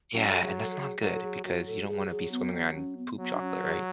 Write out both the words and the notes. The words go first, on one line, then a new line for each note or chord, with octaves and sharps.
Yeah, and that's not good because you don't wanna be swimming around poop chocolate, right?
F#3 C#4
A4
G#4
A4
A4
G#4
F#3 A4
A4
G#4
F#3 F#4
A4
F#4
F#3 G#4
G#4
B3
B3
C#4
B3
F#3 B3
D4
C#4
G#4